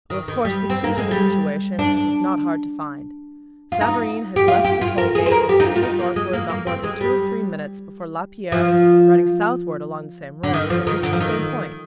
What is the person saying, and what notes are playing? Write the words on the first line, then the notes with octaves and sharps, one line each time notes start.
Well, of course, the key to the situation was not hard to find. Savareen had left the toll-gate and proceeded northward not more than two or three minutes before Lapierre, riding southward along the same road, had reached the same point.
D#3
D#3
G3
C4
A#3
G#3
G3
D4
F4
D#4
G4
F4
G4
F4
A#4
G#4
C5
A#4
G4
D#4
F4
F4
D#4
A#3
G#3
A#3
A#3
C4
G#3
G3
F3
D3
D#3
F3
D#3
D3
F3
D#3